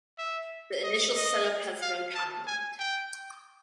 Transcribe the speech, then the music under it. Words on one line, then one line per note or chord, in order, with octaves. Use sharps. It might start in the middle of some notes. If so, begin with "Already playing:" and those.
The initial setup has no time limit.
E5
D#5
D#5
F5
A5
G#5
G5